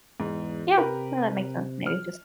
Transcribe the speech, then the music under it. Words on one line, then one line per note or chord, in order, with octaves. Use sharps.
Yeah. No, that makes sense maybe just
E2 G#2
C3 G4 A#4 B4
F6